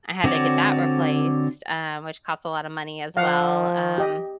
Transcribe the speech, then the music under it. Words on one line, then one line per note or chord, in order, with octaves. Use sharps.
I had to get that replaced, um, which costs a lot of money as well. Um,
D3 C4 F#4 C#5 D5
F3 F5 F#5
G4 D#5